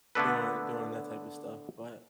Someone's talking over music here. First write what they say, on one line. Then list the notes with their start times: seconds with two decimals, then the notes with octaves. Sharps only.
doing doing that type of stuff, but
0.15 D3 A3 B3 D4 A4 B4